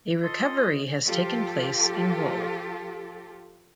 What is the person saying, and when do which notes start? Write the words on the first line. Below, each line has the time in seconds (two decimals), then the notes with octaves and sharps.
A recovery has taken place in wool.
0.23 F4 A4 D#5 C6
1.05 F3 F4 G4 A4